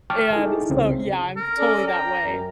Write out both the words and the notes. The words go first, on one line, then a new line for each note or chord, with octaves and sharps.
and so, yeah, I'm totally that way.
G5 A5 C#6 D6 F6
D#4 E4 G#4 A4
C2 C#3 C4
A#4
C#4 A4 D5
G5 A#5
F#2